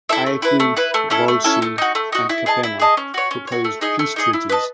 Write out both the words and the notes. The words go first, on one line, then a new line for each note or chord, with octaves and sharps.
Aequi, Volsci, and Capena proposed peace treaties.
E4 A4 E5
A3
E4 B4
A3
E4 B4
A3
C#4 E4 A4
A3
C#4 E4 A4
A3
D#4 F#4
A3
D#4 F#4
E4
G#4 D#5 A5
E4
G#4 D#5 A5
C#4
F#4 C#5
C#4
F#4 C#5
A3
D#4 G#4 D#5
A3
D#4 G#4 D#5
E4
B4 D#5 A5